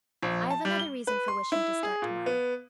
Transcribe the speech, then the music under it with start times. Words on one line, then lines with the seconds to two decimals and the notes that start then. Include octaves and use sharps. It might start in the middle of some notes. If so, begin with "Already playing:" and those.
I have another reason for wishing to start to-morrow.
0.22 A#1
0.51 A5
0.65 G3
0.79 G7
1.07 B4
1.28 C6
1.52 E4
1.83 G#4
2.02 A#2
2.26 B3